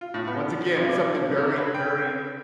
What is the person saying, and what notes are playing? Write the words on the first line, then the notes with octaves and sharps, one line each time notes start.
once again, something very, very
F4
A2
B3
B1
D5
C3
B4
G5